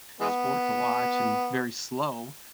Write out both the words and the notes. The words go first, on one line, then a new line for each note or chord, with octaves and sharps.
sport to watch and very slow.
E3 G#3 B3